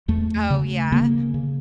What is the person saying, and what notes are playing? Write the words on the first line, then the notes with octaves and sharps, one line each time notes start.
Oh, yeah.
E2 A3
C#3 A3
C#3 A#3
C#3